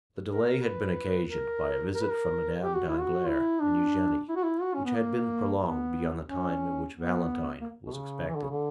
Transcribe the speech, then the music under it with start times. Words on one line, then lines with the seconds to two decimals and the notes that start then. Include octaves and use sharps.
The delay had been occasioned by a visit from Madame Danglars and Eugenie, which had been prolonged beyond the time at which Valentine was expected.
0.29 A#4
0.62 B4
1.28 A#4
1.95 A#4
2.02 B4
2.11 A#4
2.62 G4
2.75 F#4
2.88 E4
3.00 F#4
3.29 E4
3.61 D4
4.29 E4
4.36 F#4
4.43 E4
4.62 F#4
4.74 C#4
4.85 B3
4.95 A#3
5.61 B3
6.29 C#4
6.94 B3
7.61 A#3
7.86 B2
7.94 C#3
8.28 E3
8.35 D3
8.42 C#3
8.50 D3